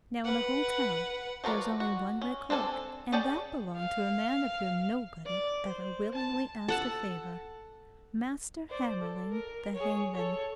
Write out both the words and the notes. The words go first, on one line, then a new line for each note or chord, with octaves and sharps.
Now in the whole town there was only one red cloak, and that belonged to a man of whom nobody ever willingly asked a favour--Master Hammerling the hangman.
B4 F#5
F3 F#4 A#4 B4 D5
F#4
C#4
C4 D4 A4 G#5
C#4 G#4 D5 G5 A5
F5
D5
C5
A5
A4 F#5 A5
C5 D5
A4
A#4
G#4 C#5
A4 C#5